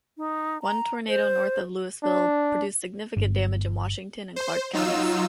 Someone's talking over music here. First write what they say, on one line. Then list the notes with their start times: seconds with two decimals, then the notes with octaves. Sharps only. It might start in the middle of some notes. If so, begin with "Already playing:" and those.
One tornado north of Louisville producing significant damage in Washington and Clark Counties.
0.17 D#4
0.62 A#5
1.09 C5
2.03 D4
3.17 G1
4.36 C5
4.73 F#3 D#4 F4 E6